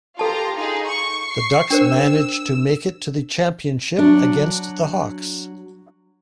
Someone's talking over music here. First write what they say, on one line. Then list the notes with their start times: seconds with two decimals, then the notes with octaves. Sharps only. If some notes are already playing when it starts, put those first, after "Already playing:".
The Ducks manage to make it to the championship against the Hawks.
0.19 F4 G4 A4 A5 A#5
0.55 D#4 F4 G#4
0.86 C#6 C#7
1.30 C#6 C7
1.70 D4 A#4 C5 E6
3.98 F#3 D4